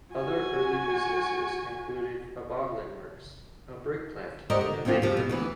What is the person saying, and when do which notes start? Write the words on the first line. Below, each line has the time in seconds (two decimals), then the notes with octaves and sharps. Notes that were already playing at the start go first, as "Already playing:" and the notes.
Other early businesses included a bottling works, a brick plant, and bakeries.
0.14 F#4 G#5
4.50 F#4 G4 A#4 C5 D5 D#5
4.61 D3
4.85 D2 A#2 C4 D4 F4
5.02 C3 F3
5.17 B2
5.29 D2 E3 B4